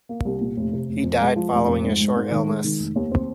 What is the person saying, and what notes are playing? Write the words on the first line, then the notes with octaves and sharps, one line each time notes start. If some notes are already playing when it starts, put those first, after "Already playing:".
He died following a short illness.
A#3
C2
A#2
F1
C3
F1
F2
G#3
F3
F1
F2
G#2
G#3
G#2
D#3
G#3
D#3
F1
D#2
C4